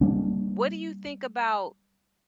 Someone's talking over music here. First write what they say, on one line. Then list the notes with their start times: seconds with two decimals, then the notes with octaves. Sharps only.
What do you think about
0.01 G3 A#3 D4